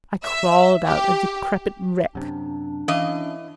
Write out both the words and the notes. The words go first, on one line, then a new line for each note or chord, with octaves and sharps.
I crawled out a decrepit wreck.
E5
G4
F#2 C3 D4
E3 C#4 D#5 F5